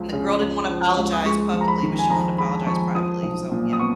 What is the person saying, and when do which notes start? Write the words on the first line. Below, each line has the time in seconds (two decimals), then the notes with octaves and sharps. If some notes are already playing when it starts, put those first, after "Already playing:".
And the girl didn't wanna apologize publicly, but she wanted to apologize privately, so yeah,
Already playing: C#2 F3
0.13 C#3
0.41 C#2
0.69 F3
0.97 C#2
1.12 D#6
1.25 G#3 C#6
1.54 F2
1.61 A#5
1.68 B5
1.83 D#3
1.99 G#5
2.10 F2 A#5
2.38 G#3 B5
2.67 F2 C#6
2.95 F3 D#6
3.23 B1
3.52 A#2
3.73 D#6
3.79 B3 C#6